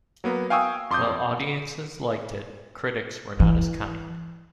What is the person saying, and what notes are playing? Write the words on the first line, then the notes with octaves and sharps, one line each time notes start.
While audiences liked it, critics were not as kind.
F#3 A#3 B3
F5 G5 G#5 C#6 D#6 E6
F2 C6 D6 D#6 G6
E3